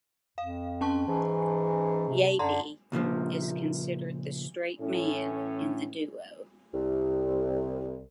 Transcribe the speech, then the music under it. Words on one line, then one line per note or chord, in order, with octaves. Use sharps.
Yabe is considered the straight man in the duo.
F2 F5
C#4 A5 C#6
G#2 E3
C3
F#2 D3 A#5 C6
C#2 A#2 D#3 F3
A2 E3 C#4
C2